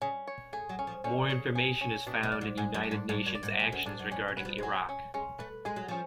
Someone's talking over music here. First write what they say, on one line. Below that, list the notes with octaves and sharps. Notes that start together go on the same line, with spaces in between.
More information is found in United Nations actions regarding Iraq.
C#3 C#4
C#5
A3 G#4
F#3
C#4
F3
D3 C#4
C#3 C#5
G#4
C#4
B2 D4
B2
D5
G#2
G#2 G#4
F#2
D4
G#2
G#2 D4
F#2
D5
G#2
F2 G#4
F#2
G#2 D4
F#2
F2 C#4
F#2
F#3 B4
F3
G#3
F#3 G#4
C#4
G#3 C#4
A3 B4
G#3 G#4
F#3
F3 C#4